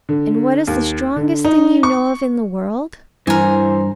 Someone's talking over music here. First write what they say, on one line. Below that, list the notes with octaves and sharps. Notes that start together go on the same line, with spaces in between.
And what is the strongest thing you know of in the world?
D3
D#2
D3
D#4
C#6
G2 E3 A#4 C5 G#5